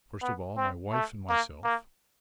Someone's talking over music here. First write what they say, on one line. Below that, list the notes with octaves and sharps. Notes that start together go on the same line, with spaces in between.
First of all my wife and myself.
B3
C4
A3
A#3
A#3